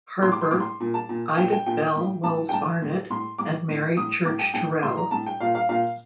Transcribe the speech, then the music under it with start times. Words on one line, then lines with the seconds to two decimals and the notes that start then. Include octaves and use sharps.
Harper, Ida Bell Wells-Barnett, and Mary Church Terrell.
0.23 A2 C6
0.32 D6
0.41 C6
0.51 A2 D6
0.60 C6
0.80 A#2
0.94 A5
1.09 A#2
1.37 A#2 G5
1.52 G5
1.66 A#2 G5
1.95 A2
2.24 A2 A5
2.49 G5
2.53 A2 A5
2.82 A2
3.10 A2 C6
3.38 A2 D6
3.68 A2
3.97 A2 D#6
4.25 A2 D6
4.39 G5
4.54 A2 G5
4.83 A2 C6
4.97 A#5
5.11 A2 A5
5.26 G5
5.41 A#2 F5
5.55 F5
5.69 A#2 F5